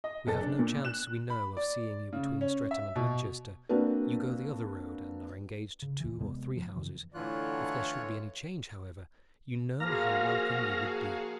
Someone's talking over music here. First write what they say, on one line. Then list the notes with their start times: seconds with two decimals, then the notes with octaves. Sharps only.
We have no chance we know of seeing you between Streatham and Winchester: you go the other road and are engaged to two or three houses; if there should be any change, however, you know how welcome you would be. . . .
0.04 D#5
0.27 F#1 A4 A6
0.40 D4
0.59 A#2
0.85 F#6 E7
1.30 B5
1.57 D5
2.13 C#3
2.41 C#4
2.71 E5
2.96 B2
3.69 A#3 C4 D4 F#4 B4
5.82 C#3
6.00 D#2 E3
6.20 C3 G#3 B3
6.57 F3
6.76 F#2 C#3 E3
7.14 A2 D3 E3 F4 C#5 F#6
9.80 F3 A#3 F#4 G#4 F5 F6 A#6